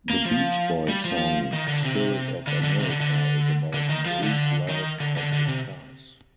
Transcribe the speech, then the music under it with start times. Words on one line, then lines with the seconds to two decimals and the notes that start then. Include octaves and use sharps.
The Beach Boys song "Spirit of America" is about Breedlove and his cars.
0.10 A#3
0.25 F3
0.88 G3
1.05 F3
1.53 D#3
1.67 D3
1.84 C3
2.47 D3
2.63 D3
2.79 C3
2.89 D3
3.00 D3
3.74 D3
3.89 D#3
4.06 F3
4.22 D3
4.69 D#3
5.00 D3
5.17 D3
5.32 D3
5.48 C3